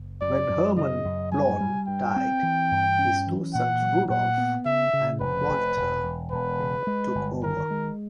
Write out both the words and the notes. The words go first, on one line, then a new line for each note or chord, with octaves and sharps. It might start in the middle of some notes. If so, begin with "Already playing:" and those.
When Hermann Blohm died, his two sons Rudolf and Walther took over.
Already playing: F#1
F#2 D5
F#2
C#3 D#5
F#2
G3 G#5
G3
G2 G5
C4
E3
G2
C#4
E3
A#2 F#5
F#3
A#2 F#5
B3
C#3 E5
C#3
F1 B4
F1
E1
E1
E1 B4
C#3
G#3
G1
D#3 A#4
G#3